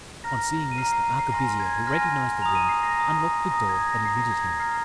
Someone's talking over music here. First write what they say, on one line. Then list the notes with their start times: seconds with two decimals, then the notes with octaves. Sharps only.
On seeing this, the arquebusier, who recognised the ring, unlocked the door, and admitted him.
0.24 A#5 F6 A#6
0.50 A#6
0.71 D#7
0.78 F6 C7
0.82 A#5
0.92 C7
1.05 D#7
1.19 C7
1.32 G#5 C6 F6 A#6
1.60 G#6
1.87 G#5 C6 F6 A#6
2.42 A#5 D#6 F7
2.55 D#7
2.69 C7
2.83 A#6
2.97 A#5 D#6
3.51 A#5 D#6 A#6
3.69 G#6
3.88 A#6
4.05 A#5 D#6 C7
4.18 A#6
4.31 G#6
4.44 A#6
4.60 A#5 F6 C7